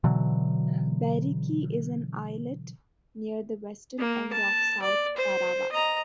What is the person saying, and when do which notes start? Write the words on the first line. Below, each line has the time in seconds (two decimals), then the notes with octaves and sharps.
Bairiki is an islet near the Western end of South Tarawa.
0.04 B2 D3 E3 F#3
3.99 A#3
4.32 A5
4.82 D5
5.17 C5
5.72 D#5 A#5